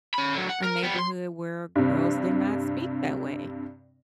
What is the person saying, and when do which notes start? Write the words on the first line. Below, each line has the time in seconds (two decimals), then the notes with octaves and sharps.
a neighborhood where girls did not speak that way.
0.14 C#4 B5
0.34 D3 F#3
0.49 F#5
0.64 A#4
0.83 G3 B3
0.99 C6
1.75 G2 C3